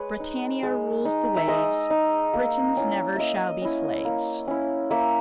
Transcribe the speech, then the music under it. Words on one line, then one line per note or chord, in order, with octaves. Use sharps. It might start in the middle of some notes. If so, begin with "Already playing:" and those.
Brittania rules the waves! Britons never shall be slaves!
Already playing: G#3 B4 C#5
D#4
G#3
D#4
E5
G#3 D#5
D#4
A#3
C#4 E4
A#3 D#5 E5
C#4 E4
A#3
C#4 E4
A#3 E5